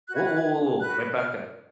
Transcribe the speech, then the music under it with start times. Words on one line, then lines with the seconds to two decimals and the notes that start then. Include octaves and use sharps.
Whoa, whoa, whoa, whoa, wait, back up.
0.08 F#4 B4 F#6
0.17 G#6
0.27 F#6
0.35 G#6
0.80 F#4 B4 F#6
1.17 F6